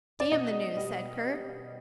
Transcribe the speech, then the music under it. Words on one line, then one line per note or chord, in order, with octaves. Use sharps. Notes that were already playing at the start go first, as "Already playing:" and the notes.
"Damn the news," said Kurt.
D5
B2 D#5
G3